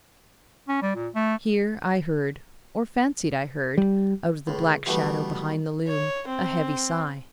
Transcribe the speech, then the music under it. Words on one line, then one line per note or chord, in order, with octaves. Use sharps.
Here I heard--or fancied I heard--out of the black shadow behind the loom, a heavy sigh.
C#4
G3
A#2
A3
G3
C#2 A2
B2 E3 G3 A3 B3
C#5
C4